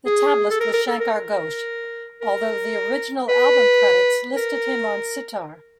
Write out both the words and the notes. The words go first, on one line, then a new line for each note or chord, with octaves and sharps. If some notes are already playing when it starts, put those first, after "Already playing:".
The tablist was Shankar Ghosh, although the original album credits listed him on sitar.
G#4
A4
A#4
A#4
A4
A#4
A#4
A#4
B4
A#4